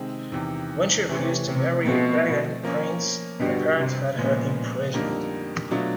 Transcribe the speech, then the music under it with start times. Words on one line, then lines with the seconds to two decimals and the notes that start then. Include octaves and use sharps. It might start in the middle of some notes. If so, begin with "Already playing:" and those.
When she refused to marry a pagan prince, her parents had her imprisoned.
Already playing: C3 D#3 G#3 C4
0.32 E2 C3 D#3
1.09 C3 E3 A3 C#4
1.47 C3
1.85 B2 F3 A3 C4
2.63 F3 A#3 C#4
3.40 G2 B2 D3 G3
3.78 C3
4.17 A#2 C#3 F3 G#3 B3
4.94 F2 D3 G3 A#3 D#4
5.71 B2 F#3 A3 D4 F4